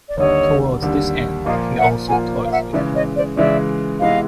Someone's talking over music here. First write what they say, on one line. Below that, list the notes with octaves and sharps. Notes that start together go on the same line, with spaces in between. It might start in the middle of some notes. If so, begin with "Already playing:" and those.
Toward this end, he also toys with her mind.
D5
D#2 D3 G3 C#5 D#5
D#2 D3 G3
A#2 F3 A#3 D#5 F5
E5 F#5
A#2 F3 A#3 F#5 G#5
F5
E5 F#5
C#3 E3 G#3 D5 E5
C#5 D#5
C5 D5
C#3 E3 G#3 D5 E5
C3 E3 G#3 B3 E4 D#5 F5